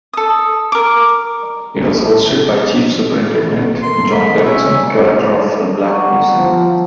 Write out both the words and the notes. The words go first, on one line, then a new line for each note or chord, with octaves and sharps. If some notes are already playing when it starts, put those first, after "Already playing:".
It was hosted by Chief Superintendent John Davidson, curator of the Black Museum.
A4 D#6
A#4 D6
G#1 A3 A#4 C6
B5
C#4 E5
F#3 G3 F#4
F3